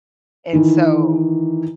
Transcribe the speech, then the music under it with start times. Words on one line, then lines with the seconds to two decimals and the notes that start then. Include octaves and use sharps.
And so
0.53 D#3 E3